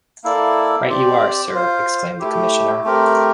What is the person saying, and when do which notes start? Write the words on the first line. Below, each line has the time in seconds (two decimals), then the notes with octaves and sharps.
Right you are, sir, exclaimed the commissioner.
0.24 A#3 E4 A4 D5
0.89 C4 G4 D5
1.54 F4 C5 F5
2.19 A3 E4 G4
2.84 A3 C4 G4 A#4